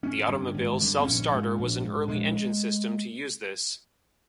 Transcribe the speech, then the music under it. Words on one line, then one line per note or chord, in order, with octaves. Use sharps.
The automobile self starter was an early engine system to use this.
G#1 C#4
G2 D3
G#1
G2 D3
C4
A#1 C#4
G#2
A#1
G#2
A#1 G#3